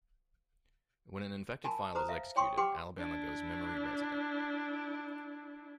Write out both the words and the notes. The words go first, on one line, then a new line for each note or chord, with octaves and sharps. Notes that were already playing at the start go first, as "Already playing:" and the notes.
When an infected file is executed, Alabama goes memory resident.
A#4 G#5 A5 B5
B4 C5 A#5 D#6
E5 F5
C#5 G5 C6 C#6 D#6
G4 B4 F#5 G5 C6 D6
D4 E4